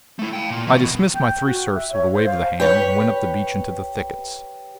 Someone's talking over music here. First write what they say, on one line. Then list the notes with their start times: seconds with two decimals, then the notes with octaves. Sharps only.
I dismissed my three serfs with a wave of the hand, and went up the beach into the thickets.
0.19 A3 E4
0.33 F5 G5
0.50 A#2
0.67 D#3 E3
0.79 B2
1.14 G5
1.46 F#4
1.75 E5
1.92 C#5
2.14 C5
2.26 F5
2.60 G4 B4 C#5